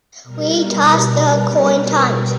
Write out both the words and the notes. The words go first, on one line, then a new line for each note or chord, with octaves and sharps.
We toss the coin times.
B2 G3 A#4
B4